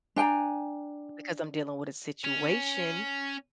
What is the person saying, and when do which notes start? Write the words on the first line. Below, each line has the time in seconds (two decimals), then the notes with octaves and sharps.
because I'm dealin' with a situation.
0.16 D4 G5 G#5 A#5
2.24 C#4